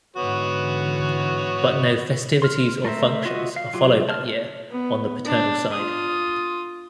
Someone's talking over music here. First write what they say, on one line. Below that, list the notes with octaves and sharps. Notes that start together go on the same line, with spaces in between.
But no festivities or functions are followed that year on the paternal side.
G#2 D3 E3 B3 F#4 C#5
C6 F6
A3 A#4 C5 E5
F4 F#4 D#5 E5
F5
F#3 F4 G4
A5 F6
B3
D4
F4 D#6